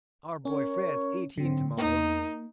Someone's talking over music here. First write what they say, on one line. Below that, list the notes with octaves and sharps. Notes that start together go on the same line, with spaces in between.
Our boy Fred is eighteen to-morrow.
C#4 A#4 C#5
G#2 D3 F#3 C4
E2 A#3 D#4